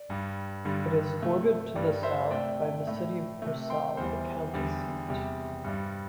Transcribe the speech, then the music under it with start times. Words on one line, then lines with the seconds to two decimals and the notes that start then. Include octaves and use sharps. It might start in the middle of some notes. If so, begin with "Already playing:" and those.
It is bordered to the south by the city of Pearsall, the county seat.
Already playing: D5
0.10 G2 G3
0.65 G2 D3 G3
1.20 C3 A3
1.75 G2 G3 D5
2.03 C5 E5
2.31 C3 A3 D5 G5
2.87 A2 A3
3.42 C3 A3
3.70 G5 C6
3.97 E2 E3 G3 C5
4.54 E2 D3 G3
5.08 E2 C3 G3
5.64 G2 G3